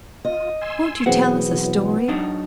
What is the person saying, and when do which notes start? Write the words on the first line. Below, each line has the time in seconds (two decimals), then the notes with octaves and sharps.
"Won't you tell us a story?"
0.25 F4 D#5
0.61 G#5 C6 E6
1.06 B2 E3 F#3 B3 C4 G#4 F#5
2.08 F#3 D4 D#4